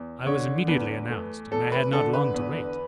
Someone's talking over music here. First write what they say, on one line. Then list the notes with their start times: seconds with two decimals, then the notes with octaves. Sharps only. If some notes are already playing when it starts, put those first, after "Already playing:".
I was immediately announced, and I had not long to wait.
Already playing: E2
0.26 D3 C#5
0.68 E2 B4
1.10 A3
1.51 E2 A4
1.72 B4
1.92 D3 A4
2.13 B4
2.34 E2